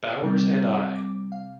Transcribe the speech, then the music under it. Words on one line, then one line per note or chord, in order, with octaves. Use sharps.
Bowers and I.
C3 G3 C4
D6
F5